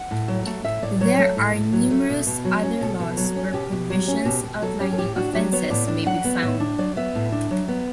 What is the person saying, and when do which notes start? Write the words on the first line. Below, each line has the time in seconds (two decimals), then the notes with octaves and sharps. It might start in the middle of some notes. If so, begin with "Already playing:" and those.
There are numerous other laws where provisions outlining offences may be found.
Already playing: F#5
0.11 A2
0.28 F#3
0.46 A3
0.65 A2 E5
0.82 A2 D5
1.01 F#3 C#5
1.19 A3
1.37 A2
1.55 A2
1.73 F#3
1.91 A3
2.10 B2
2.27 B2
2.45 F#3
2.63 C#4
2.81 B2 A4
3.00 B2
3.17 F#3
3.36 C#4
3.53 B2 G4
3.72 B2
3.90 F#3
4.08 C#4
4.25 B2 G4
4.44 B2
4.62 F#3 A4
4.80 C#4 G4
4.93 A4
4.98 A2 G4
5.16 D4 F#4
5.33 F#3 G4
5.52 B3 C#5
5.70 A2 D5
5.88 D4
6.06 F#3 F#5
6.25 B3
6.42 A2 E5
6.60 D4
6.78 F#3 D5
6.96 B3 E5
7.15 A2
7.32 D4
7.51 F#3
7.68 B3